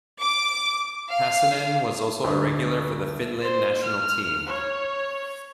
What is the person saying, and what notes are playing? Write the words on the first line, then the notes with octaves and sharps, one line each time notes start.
Pasanen was also a regular for the Finland national team.
D6
F5
D2
C5
F6
C#5